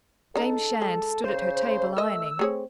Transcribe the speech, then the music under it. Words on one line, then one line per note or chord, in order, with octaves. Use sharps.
Dame Shand stood at her table ironing.
C#3 D#4 A4
G#3
C#3 C5
A3 A#4 D#5 E6
A3 C4 G#4 C#5